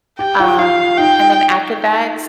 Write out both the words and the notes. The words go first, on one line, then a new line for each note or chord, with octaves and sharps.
Um, and then after that,
G4 G5
F4
F4 F5
D#4 G5